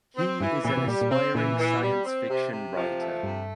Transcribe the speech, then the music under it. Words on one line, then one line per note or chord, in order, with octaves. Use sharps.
He is an aspiring science fiction writer.
C4
G2 E3
A#2 E3
C3
A#2 G3
A#2
C3 C4
A#2 E3
E3
G3
C4
C3
C3
F3
A3
G2 C3